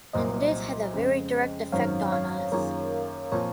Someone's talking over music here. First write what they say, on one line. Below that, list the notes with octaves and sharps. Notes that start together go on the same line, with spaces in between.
And this has a very direct effect on us.
C2 A#2 F#3 C5 D#5
F2 C#3 G#3
G#1 F#2 D#3 F#3 C4 C#5 F5
C#5 F5
F#2 D#3 A#3 F4 G#4 A#4 C#5
A#2 F3 C4 F4 A#4 C#5